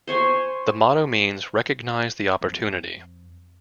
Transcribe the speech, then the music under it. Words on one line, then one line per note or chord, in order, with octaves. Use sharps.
The motto means Recognize the opportunity.
C5 C#5 G#5
F2